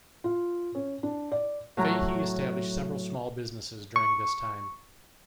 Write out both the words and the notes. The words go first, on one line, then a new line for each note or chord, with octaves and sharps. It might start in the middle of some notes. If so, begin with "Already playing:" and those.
Fahy established several small businesses during this time.
F4
C#4
D4
D5
A2 F#3 A#5
C#6